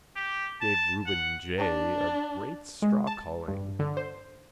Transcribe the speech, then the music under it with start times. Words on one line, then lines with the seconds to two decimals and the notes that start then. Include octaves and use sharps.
Gave Reuben J. a great strawcalling.
0.16 G4
0.61 A5
1.06 F#5
1.58 D4
2.82 G#3
3.07 A5
3.48 G2
3.79 D3
3.97 C5